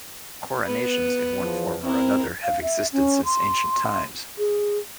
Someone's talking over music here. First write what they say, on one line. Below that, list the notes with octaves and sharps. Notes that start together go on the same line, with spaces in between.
Coronations, in one form or another, have existed since ancient times.
B3 B4
E2 F3
C4 E4 A#4
F5
E5
C#4
C6
G#4